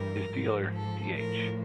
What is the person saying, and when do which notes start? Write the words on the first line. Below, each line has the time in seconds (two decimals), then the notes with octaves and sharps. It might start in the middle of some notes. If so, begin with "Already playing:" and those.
His dealer, D-H.
Already playing: G2 E3 G3 A#4
0.31 G#2 F3
0.73 A4
1.15 A2 F3 A#4